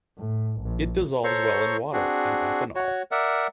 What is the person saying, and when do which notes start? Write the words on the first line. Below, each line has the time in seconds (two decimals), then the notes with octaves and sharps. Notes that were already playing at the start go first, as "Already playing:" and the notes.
It dissolves well in water and ethanol.
0.17 A2
0.61 A#1
1.24 A4 C5 C#5 A#5 C6 C#6
1.93 C4 D4 F#4 G#4
2.75 F#4 C#5
3.11 A#4 D5 E5 F#5